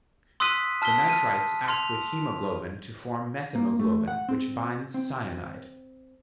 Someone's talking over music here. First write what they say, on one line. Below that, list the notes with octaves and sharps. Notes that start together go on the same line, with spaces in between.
The nitrites act with hemoglobin to form methemoglobin which binds cyanide.
C6 D#6 E6 F#6 B6 D#7
A5 F6 B6 G7
F6 D#7
C6 F6 F7
A#3
A3
F#5
C4
C4